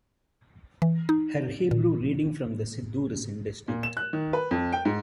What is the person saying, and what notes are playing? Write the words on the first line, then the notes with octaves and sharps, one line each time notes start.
Her Hebrew reading from the siddur is indistinct.
E3
D#4
A#2
A#2
E7
F#6
D#3
B4
F2
G5
G#2